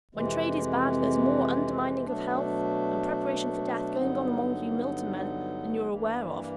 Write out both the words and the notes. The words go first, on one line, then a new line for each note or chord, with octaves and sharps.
When trade is bad, there's more undermining of health, and preparation for death, going on among you Milton men than you're aware of.'
F2 C3 E3 G#3
B2 F#3 A3 D4
G2 D3 F#3 B3 D#4
G2 E3 G3 A#3